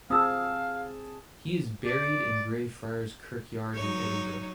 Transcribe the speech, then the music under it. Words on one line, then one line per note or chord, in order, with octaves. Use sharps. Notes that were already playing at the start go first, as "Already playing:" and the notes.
He is buried in Greyfriars Kirkyard in Edinburgh.
C4 F4 G#4 F5 A5 D#6 E6
D5
F#3 D#4 C#5